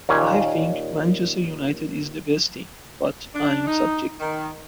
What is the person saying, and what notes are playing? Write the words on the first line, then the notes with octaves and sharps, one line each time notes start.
I think Manchester United is the best team, but I'm subjective.
D#2 A#2 C#4
D4
D#4
D#3